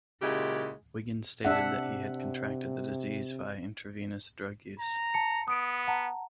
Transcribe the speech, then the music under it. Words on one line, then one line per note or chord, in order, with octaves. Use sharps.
Wiggins stated that he had contracted the disease via intravenous drug use.
A#2 C#3 G#3 E4 F#4 G4
C3 D4 E5 F#5
A#5
A5 C#7
B3 D#6 D7
F#5 A5 A#5